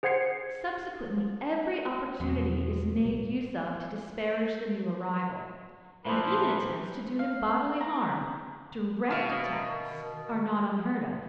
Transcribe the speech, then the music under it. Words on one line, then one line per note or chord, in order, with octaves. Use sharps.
Subsequently every opportunity is made use of to disparage the new arrival, and even attempts to do him bodily harm, direct attacks, are not unheard of.
G#4 C5 F#5 G#6 C7 C#7
E2 B2 F#3 A#3
B1 A#2 G3
A#2 E3 F3 B4 C5 E5
F5
A#5
B2 D#3 E5 F5